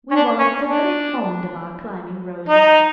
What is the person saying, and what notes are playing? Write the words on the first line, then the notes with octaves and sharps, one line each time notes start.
We Wallaces are very fond of our climbing roses.
C#4
D4
C#4
D4
D#4